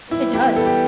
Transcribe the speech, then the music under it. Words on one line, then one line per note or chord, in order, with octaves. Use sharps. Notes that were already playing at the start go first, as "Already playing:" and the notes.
It does.
E3 G3 B3 E4
E4 G4
A4
G4